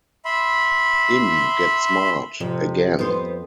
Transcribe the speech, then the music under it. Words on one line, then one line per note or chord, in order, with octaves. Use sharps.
In Get Smart, Again!
E5 B5 C6
F2 C3
B3 C5